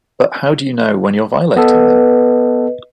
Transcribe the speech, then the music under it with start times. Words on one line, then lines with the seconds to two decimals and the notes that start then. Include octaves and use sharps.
But how do you know when you're violating them?
1.56 B3 A4 B4 D#5